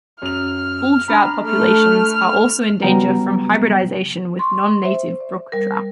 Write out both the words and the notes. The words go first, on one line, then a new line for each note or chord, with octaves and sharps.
Bull trout populations are also in danger from hybridization with non-native brook trout.
F#2 F6 F7
D4 A#5 B5
A3 F6
C#3 F#3 G3 B3 G5 A#5
C6 C#6
C5 E5
D5
G3 A#4